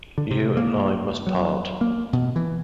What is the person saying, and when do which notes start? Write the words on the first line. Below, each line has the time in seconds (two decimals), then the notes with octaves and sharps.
You and I must part.
0.18 D3
0.31 C3
0.57 A#3
1.27 F#3
1.81 A#3
2.13 B2
2.36 E3